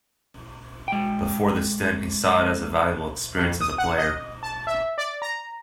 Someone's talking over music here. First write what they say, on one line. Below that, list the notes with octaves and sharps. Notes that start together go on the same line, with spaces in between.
Before the stint, he saw it as a valuable experience as a player.
G#3 G5
F2
D#6
F#5
D#5
A5
E5
D5
A#5